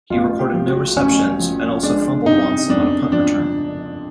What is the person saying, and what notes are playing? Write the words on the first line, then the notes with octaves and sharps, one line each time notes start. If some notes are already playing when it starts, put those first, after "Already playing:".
He recorded no receptions and also fumbled once on a punt return.
A1 F4
G4
F3
F#4
A1 C#4
F3
G#3 D4
C3 D#4
F2 D4
F3 D4